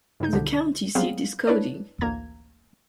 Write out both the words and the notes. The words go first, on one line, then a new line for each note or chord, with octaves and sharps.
The county seat is Cody.
G2 C#3 D#4 G6
C2 B2 D3 D#3
F#3 G3 B3 C4 G#4 F5
D4 E4 B4 C#5 D5
A1 D2 A#3 A#5 G#6